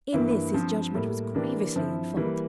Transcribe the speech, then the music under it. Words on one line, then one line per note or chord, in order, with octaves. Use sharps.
In this his judgment was grievously in fault.
G2 E3 A#3 E4
G2 F3 C4
A2 G3 A#3 E4 A4
E3 A#3 D4 G4
G2 F3 C4 E4
E3 G3 A#3